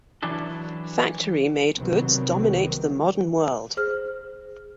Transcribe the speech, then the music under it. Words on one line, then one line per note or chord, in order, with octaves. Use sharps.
Factory-made goods dominate the modern world.
E3 F#3 D4 E4 A4
C2 C3 D#3 F#3 B3 C4
G#4 C5 F6